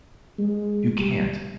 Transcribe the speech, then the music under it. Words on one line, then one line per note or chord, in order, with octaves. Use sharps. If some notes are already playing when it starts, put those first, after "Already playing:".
You can't.
G#3
G3